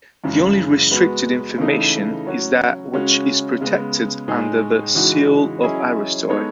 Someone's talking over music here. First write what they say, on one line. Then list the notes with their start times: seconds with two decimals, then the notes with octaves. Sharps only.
The only restricted information is that which is protected under the "Seal Of Aristoi".
0.24 F#2 C#3 E3 G#3
0.91 G#3 B3 F#4 B4
1.58 C#3 E3 A3 D#4
2.26 F#3 C#4 F#4
2.93 C#3 G#3 C#4 F#4
3.61 C#3 G#3 B3
4.28 A2 G#3 D#4 G#4
4.95 C#3 E3 G#3 D#4 F#4
5.61 F#3 C#4 E4 G#4 D#5
6.29 G#3 B3 D#4 A4 C#5